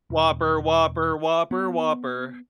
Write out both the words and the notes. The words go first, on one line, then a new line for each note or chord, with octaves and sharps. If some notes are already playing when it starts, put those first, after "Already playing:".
Whopper, Whopper, Whopper, Whopper.
E1
B3